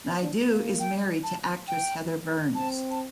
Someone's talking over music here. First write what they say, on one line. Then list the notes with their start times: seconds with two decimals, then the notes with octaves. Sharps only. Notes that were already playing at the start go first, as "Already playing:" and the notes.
Naidu is married to actress Heather Burns.
0.22 D4
0.51 A#3
0.79 G5
1.23 A5
1.68 G5
2.55 C4 A5
2.90 A5